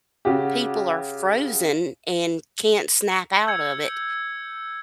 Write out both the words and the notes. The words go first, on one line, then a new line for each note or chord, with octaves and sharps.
people are frozen, and can't snap out of it,
C#3 F#4 G4
E6 G6 G#6 C#7